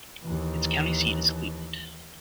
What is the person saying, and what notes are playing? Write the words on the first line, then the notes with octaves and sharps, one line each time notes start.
Its county seat is Cleveland.
D#2 E3